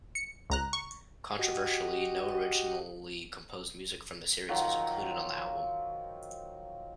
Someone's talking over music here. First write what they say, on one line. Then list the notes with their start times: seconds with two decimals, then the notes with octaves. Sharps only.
Controversially, no originally composed music from the series was included on the album.
0.15 C#7
0.50 C#2 A#5 F#6
0.73 C#6
1.39 F#4 G4 D#5
4.49 D#3 F3 F#3